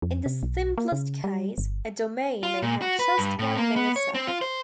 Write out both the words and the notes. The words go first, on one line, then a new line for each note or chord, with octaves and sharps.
In the simplest case, a domain may have just one mail server.
F2
C3
B1
A#3
C#3
G3
G1
F4
A#2
F#4
B4
G2
A2
A#3
B3
C#5
C4
F4
C5